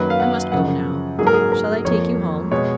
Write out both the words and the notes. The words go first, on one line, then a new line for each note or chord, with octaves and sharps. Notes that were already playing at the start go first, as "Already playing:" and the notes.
"I must go now. Shall I take you home?"
Already playing: F#2 D#3 F#3 A#3 B4
F5
F#5
F#2 C#3 F3 F#5
G#2 F#3 A#3 G#4
A#4
G#4
A#4
F2 F3 A#3 C#5
B2 G#3 C#5